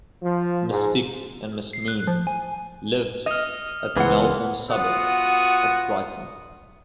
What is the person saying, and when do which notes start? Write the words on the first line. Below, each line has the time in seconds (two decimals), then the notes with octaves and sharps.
Miss Dick and Miss Moon lived at the Melbourne suburb of Brighton.
0.23 F3
0.70 G#2
1.73 C7
1.88 F#6
2.07 F3
2.27 G#5
3.26 D#5 D#6 F6
3.96 C#2 E3 B3 C5 F#5
4.69 B3 F4 F#4 F#5 D#6